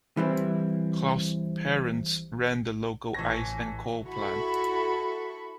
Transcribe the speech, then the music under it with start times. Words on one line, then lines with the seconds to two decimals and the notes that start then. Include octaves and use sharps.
Clough's parents ran the local ice and coal plant.
0.17 E3 G3 C4 E4
3.14 A1 E3 A4 C#5 G#5 A#6
4.06 E4 F#4 A4 B5 C#6